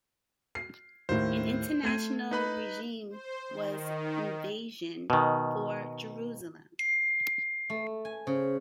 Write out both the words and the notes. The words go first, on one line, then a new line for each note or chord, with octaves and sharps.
An international regime was envisioned for Jerusalem.
C7
D#2 A2 C5
A3 G#6 D#7
D#4 B4 B5
C5
D#3
B2 D#3
A3
G#5
C#3 C5